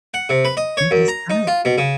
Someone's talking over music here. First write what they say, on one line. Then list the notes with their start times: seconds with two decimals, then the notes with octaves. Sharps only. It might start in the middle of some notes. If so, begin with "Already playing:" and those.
be just kin
0.14 F#5
0.29 C3
0.45 B4
0.57 D#5
0.77 C#5
0.91 F#2
1.08 A#5
1.30 D#4
1.47 F4
1.65 B2
1.78 C#3